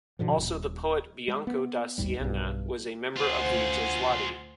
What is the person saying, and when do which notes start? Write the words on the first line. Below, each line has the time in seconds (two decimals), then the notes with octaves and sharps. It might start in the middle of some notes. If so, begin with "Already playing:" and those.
Also the poet Bianco da Siena was a member of the Jesuati.
0.19 G#2 B2 D3 F3
0.37 D#1
1.28 G#3
1.47 B3
1.98 G#1 D#2 G#2 G3
2.20 B1 G2
3.17 D2 F4 G#4 C5 F#5